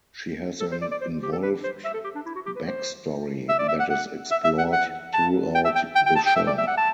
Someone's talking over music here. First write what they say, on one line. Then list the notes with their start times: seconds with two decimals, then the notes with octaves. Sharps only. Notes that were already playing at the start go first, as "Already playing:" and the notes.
She has an involved back story that is explored throughout the show.
0.60 A4
0.71 C5
0.81 D5
0.91 D5
1.01 C5
1.22 G4
1.32 A4
1.43 B4
1.63 C5
1.84 E5
1.94 A4
2.04 G4
2.15 D4
2.26 E4
2.35 F#4
2.46 G4
2.56 B4
2.67 C5
3.49 E5
3.58 D5
3.68 E5
3.80 F#5
3.90 F#5
4.31 E5
4.44 E5
4.58 F#5
4.72 F#5
5.14 A5
5.55 G5
5.65 E5
5.75 G5
5.95 G5
6.06 G5
6.15 A5
6.26 G5
6.36 E5
6.47 D5
6.58 E5
6.68 F#5
6.77 A5